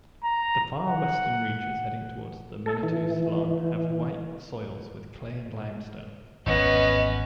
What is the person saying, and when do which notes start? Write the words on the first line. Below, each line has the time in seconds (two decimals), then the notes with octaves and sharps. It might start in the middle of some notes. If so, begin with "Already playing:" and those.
The far western reaches heading towards Menetou-Salon have "white" soils with clay and limestone.
0.24 A#5
0.87 F#5
2.66 A4
2.83 E3
6.46 G#1 E2 B3 C#4 D#5